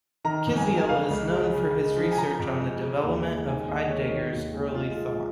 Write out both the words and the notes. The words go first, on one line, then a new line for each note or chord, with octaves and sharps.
Kisiel is known for his research on the development of Heidegger's early thought.
D#3 A#5
F2
G#5
G#3
G#5
C#3 F5
C#2
G#3
C#3
G#3
F3
G#5
C#3 A#5
F2
G#3
C#3
D#2
G#3
D#3 G#5
D#2 D#5
G#3 C#5
A#4
D#3 C#5
D#2
G#3
G#3 F4
G#3 F4
F4